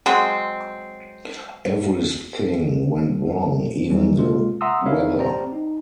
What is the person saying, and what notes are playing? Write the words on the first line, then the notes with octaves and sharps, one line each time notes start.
Everything went wrong, even the weather.
F#3 G#3 C4
F#3 G3 C#4 D#4
C3 G#3 A#3 F4
E5 F#5 A#5 C6 D#6 E6
D#4 E4 A#4 C#5 E5 F5
C4 G4 C5 D5 A#5
D#4